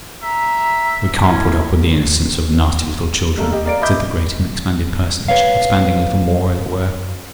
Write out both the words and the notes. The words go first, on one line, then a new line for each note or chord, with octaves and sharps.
"We can't put up with the innocence of nasty little children," said the great and expanded personage, expanding a little more, as it were.
E5 A#5
C#4 E4
G3 A3 A#3 A4
G4 D#5
A#3 D5 D7
D#5 E5 B5 D6 G6 B6
B4 C#5 F5